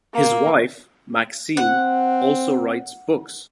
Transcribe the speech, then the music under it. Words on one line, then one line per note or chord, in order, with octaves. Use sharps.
His wife, Maxine, also writes books.
A#3
C4 F#5